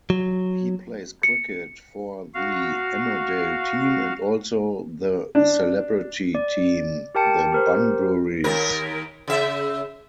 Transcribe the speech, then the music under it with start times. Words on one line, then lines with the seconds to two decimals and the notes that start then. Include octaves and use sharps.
He plays cricket for the Emmerdale team and also the celebrity team, the Bunburys.
0.10 F#3
1.23 C#7
2.34 F#4 F5
5.35 D4
6.35 D5
7.15 G4 A#4 G5 A5 C#7
7.52 G4 A#4 C5
8.44 D#2 A#4
9.28 C#3 E5